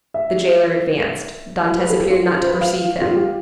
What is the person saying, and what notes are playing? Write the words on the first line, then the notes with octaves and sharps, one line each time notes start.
The jailer advanced; Dantes appeared not to perceive him.
E5
B4
A4
G4
F4
F4
C5
B4
F5
F4
G4